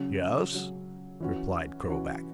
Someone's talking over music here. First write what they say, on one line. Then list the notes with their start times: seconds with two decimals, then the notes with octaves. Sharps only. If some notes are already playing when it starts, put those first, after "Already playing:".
"Yes," replied Krovac.
Already playing: C#3 F#3 C#4
0.52 C#3 F#3 C#4
1.20 E3 C#4 F#4
1.87 E3 C#4 F#4